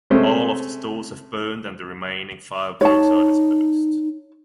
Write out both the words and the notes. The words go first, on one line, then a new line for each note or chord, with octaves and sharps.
All of the stores have burned and the remaining fireworks are disposed.
C3 G#3 A3 C4 C#4
D#4 C#5 A5